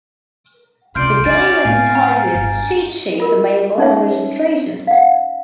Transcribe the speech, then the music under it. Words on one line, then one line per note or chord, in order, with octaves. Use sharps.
The game advertises cheat sheets available on registration.
C#2 C3 D5 C6 F6 G6 D7
D3 C#4 D5 A6
A2 F5 G#5
A#5
G1
F4 A#4
C#4 D#4 C#5 E5
F5 F#5